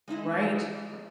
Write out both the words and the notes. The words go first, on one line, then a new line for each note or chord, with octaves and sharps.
Right. R
G#3 D#4 E4 D#5